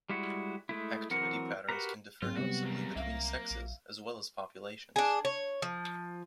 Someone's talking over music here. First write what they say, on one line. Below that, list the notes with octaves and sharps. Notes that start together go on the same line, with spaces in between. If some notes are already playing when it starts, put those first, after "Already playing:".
Activity patterns can differ noticeably between sexes as well as populations.
G3 G#3 E4 F#4
G#3 A3 E4
E3 F#3 C4 A#4 F#5
F#4 G4 A#4 B4 A#5
G#2 F#3 C4 F4 G#4
C3 G3 B3 F#4
E2 A#3
C2 A#3 E5 F5
A#1
D4 G#4
C#5
F3